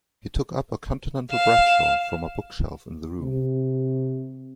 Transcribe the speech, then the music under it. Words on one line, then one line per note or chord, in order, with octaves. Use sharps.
He took up a Continental Bradshaw from a bookshelf in the room.
F5 E7
C3